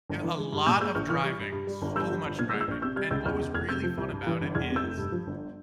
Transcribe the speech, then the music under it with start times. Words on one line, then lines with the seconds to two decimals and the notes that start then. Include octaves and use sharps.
There's a lot of driving, so much driving, and what was really fun about it is,
0.10 G1
0.23 E3
0.38 G#3
0.52 G2
0.66 A#2 E6 G6
0.81 G#3 E6 G6
0.95 A#1 C#6 F6
1.09 E3 C#6 F6
1.24 G3
1.39 G2
1.52 G2
1.67 G3
1.82 G1
1.96 G2 E6 G6
2.10 F3
2.25 G1
2.39 A#2 F6 G#6
2.49 E6 G6
2.53 G#3
2.61 E6 G6
2.68 A#1 C#6 F6
2.82 C3 E6 G6
2.96 G3 F6 G#6
3.11 C#2 E6 G6
3.25 E2 C#6 F6
3.40 C#3
3.54 F1 F6 G#6
3.69 C3 E6 G6
3.83 F3
3.97 C2
4.12 G2
4.27 E3
4.41 G1
4.55 E2 F6 G#6
4.69 C3
4.76 E6 G6
4.83 F1
4.98 G2
5.12 F3
5.27 G1